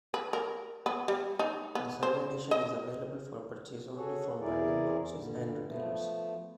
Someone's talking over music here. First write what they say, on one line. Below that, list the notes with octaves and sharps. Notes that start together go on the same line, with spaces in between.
The Sunday edition is available for purchase only from vending boxes and retailers.
B4
A#4
B3
G3
D#4
B3
C5
D#5
F#4 G#4 A4 C#5
E2 E4 G#4 A#4 D5
G2 A#2 D3 G3
F3 A3 B3